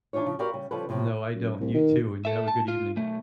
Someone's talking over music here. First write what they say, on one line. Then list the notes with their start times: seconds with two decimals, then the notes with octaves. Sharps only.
No, I don't, and you too, and you have a good evening.
0.13 E3 D4 D#4 F4 C#5
0.26 C#3 F3
0.39 F#4 G4 A#4 B4 D5 F5
0.54 C#3 G3
0.71 C#3 F3 G3 A4 B4
0.89 A2 C3 F3
1.35 F#2
1.60 C2
1.74 D#3
2.25 A4 E5
2.48 A5
2.68 F4
2.96 B1 A3